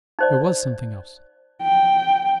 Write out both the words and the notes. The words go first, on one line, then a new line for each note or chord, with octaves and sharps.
There was something else.
D#4 C5 D5
G5